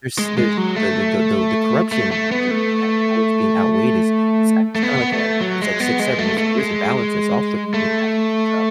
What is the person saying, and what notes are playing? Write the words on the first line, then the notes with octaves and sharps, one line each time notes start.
there's there's the the the the the corruption and and how it's being outweighed is is, uh it's kinda like a, you know, it's like six-seven, there's there is a balance that's off with with that because, um
G#3
G#3
F#3
A3
A3
A3
B3
A3
A3
B3
A3
F#3
G#3
B3
G#3
A3
A3
G#3
A3